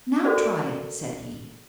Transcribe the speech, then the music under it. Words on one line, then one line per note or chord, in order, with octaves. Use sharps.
"Now try it," said he.
F#4 A4 A#4 C5 D5